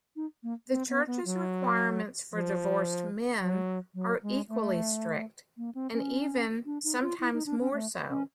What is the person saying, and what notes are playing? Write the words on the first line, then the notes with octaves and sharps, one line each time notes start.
The church's requirements for divorced men are equally strict, and even sometimes more so.
D#4
A#3
C4
B3
B3
F#3
F3
F#3
F#3
G#3
A3
A#3
C4
C#4
D4
D#4
F4
E4
D#4
D4
C#4
A3
C#4